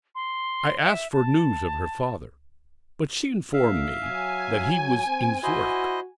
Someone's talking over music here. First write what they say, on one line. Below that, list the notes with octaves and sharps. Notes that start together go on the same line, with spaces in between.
I asked for news of her father, but she informed me that he was in Zurich.
C6
E5
A5
D3 E5 F5
F#3 G#5
C4
E4 F#4 C5 D#5